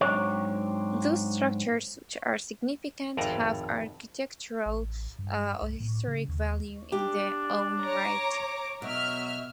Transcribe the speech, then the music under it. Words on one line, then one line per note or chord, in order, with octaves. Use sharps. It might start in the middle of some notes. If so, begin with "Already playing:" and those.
Those structures which are significant have architectural or historic value in their own right.
G#2 F3 F#3 C4 D4 C#5
G#1 F2 A2 D5 A#5
A1
G2
C2
A2
C#3
D#2
D4 G4
C#5 A#5 D6
B2 F#3 E5 F6